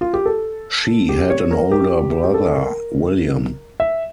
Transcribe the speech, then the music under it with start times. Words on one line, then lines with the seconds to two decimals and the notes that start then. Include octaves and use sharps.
She had an older brother, William.
0.01 F4
0.13 G4
0.26 A4
1.09 G4
1.30 C#5
1.51 A#4
1.71 G4
2.23 G4
2.34 A4
2.55 A#4
3.80 E5